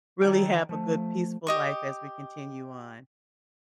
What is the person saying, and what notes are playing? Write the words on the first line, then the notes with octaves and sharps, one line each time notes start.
really have a good peaceful life as we continue on
D#3 D#4 A4 C#5 D5 G5
F3 A3
G4 D#5 C#6